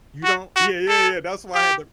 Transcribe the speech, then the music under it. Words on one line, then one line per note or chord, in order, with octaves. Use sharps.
You don't Yeah, yeah, yeah, that's why I had to
F#4
F#4
A4
G4